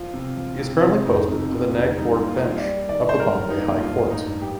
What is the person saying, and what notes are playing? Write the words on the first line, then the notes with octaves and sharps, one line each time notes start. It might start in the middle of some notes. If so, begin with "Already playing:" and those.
She is currently posted to the Nagpur bench of the Bombay High Court.
Already playing: F3 F4
C3
F3
C3
C3
F2 D#4
C3 D#4
C3 F4
F2 D#4
G3 D#4
A#3
F4
D#4
G3 F4
D5
G3
D#3 D5
G3 C5
A#4
G3
D#4
A#3
G2 F4
A1
D#4
G2
G4